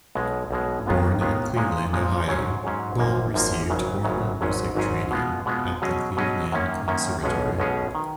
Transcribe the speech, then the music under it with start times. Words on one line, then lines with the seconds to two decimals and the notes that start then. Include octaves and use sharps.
Born in Cleveland, Ohio, Ball received formal music training at the Cleveland Conservatory.
0.15 B1 B2 G#3
0.51 B1 B2 G#3
0.86 D#2 D#3 G#3 B3 F4
1.21 D#2 D#3 G#3 B3 F4
1.57 A#2 F3 G#3
1.93 A#2 F3 G#3
2.28 G#2 F#3 C#4 G#4 C#5
2.63 G#2 F#3 C#4 G#4 C#5
2.98 G#1 F#2 F3 A#3
3.34 G#1 F#2 F3 A#3
3.70 G#1 F#2 C#3 F#3
4.04 G#1 F#2 C#3 F#3
4.41 G#1 G#2 F#3 C#4 G#4
4.75 G#1 G#2 F#3 C#4 G#4
5.11 B2 G#3 B3 F4
5.46 B2 G#3 B3 F4
5.82 B2 F#3 C#4 G#4 D#5
6.17 B2 F#3 C#4 G#4 D#5
6.52 F#2 D#3 A#3 C#4
6.88 F#2 D#3 A#3 C#4
7.23 B1 B2 G#3 C#4 G#4
7.58 B1 B2 G#3 C#4 G#4
7.95 D#3